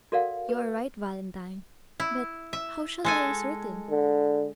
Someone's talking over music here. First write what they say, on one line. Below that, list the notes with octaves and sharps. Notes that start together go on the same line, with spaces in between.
"You are right, Valentine; but how shall I ascertain?"
F#4 A4 A#4 D5 F5 F#5
B4
E4
E5
G#3 A4 G#5
D3